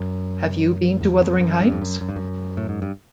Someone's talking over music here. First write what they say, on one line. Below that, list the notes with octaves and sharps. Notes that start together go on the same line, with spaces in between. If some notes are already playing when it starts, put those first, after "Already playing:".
Have you been to Wuthering Heights?
Already playing: F#2
E2
F2
F#2
G2
F2
F#2
F#2
G2
F#2
A2
G#2
G2